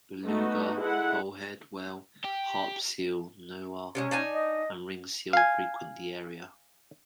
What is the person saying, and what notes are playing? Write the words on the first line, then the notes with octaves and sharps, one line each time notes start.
Beluga, bowhead whale, harp seal, narwhal, and ringed seal frequent the area.
A3 B3 D#4 F#4
G#3 E4 A4 F#5
G4
C3 D#3 G#3 C#4
D4 D#4 G#5
D#5
F5 G#5